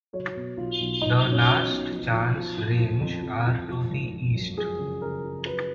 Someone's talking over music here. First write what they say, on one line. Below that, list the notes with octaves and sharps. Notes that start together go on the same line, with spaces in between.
The Last Chance Range are to the east.
F#3 C#5
B2
B1 F4
B1
B1 D#4
F#3
C#4
F#3
D#4
B2
F3
F3
F3
F3
F3
F2
F2
F3
F3
G#1
F3
F#2
F3 G#4
C#3
C#3 A#4
F3
F#3 B4